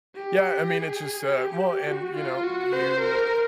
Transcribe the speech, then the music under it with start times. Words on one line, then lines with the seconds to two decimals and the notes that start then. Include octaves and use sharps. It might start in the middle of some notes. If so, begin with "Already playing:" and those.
Yeah, I mean, it's just, uh well and, you know, you uh
0.16 G4
0.72 G#4
1.29 G4
1.87 F#4
2.15 F4
2.44 F#4
2.72 C5
3.01 A#4